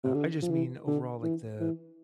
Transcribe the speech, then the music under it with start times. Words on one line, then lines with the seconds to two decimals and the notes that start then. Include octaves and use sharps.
uh, I just mean overall like the
0.04 C3
0.14 D3
0.42 F3
0.50 E3
0.87 D3
1.23 E3
1.60 E3